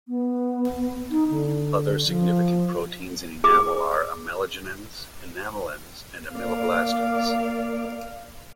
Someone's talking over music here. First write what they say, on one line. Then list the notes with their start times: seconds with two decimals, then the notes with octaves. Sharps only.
Other significant proteins in enamel are amelogenins, enamelins, and ameloblastins.
0.08 B3
1.10 D#4
1.30 D3
2.07 F3
3.44 G#4 D6
6.35 A#3 D5 F5